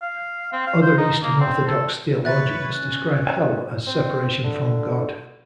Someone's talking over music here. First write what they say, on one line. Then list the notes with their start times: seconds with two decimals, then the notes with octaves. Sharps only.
Other Eastern Orthodox theologians describe hell as separation from God.
0.02 F5
0.53 C4
0.67 F5
0.82 C5
0.97 D#4
1.22 A#3
1.40 C4
1.67 A4
2.25 D#3 B4 C#5 E5 F#6 A6
2.73 C#4 F#6
3.87 C4
4.44 D3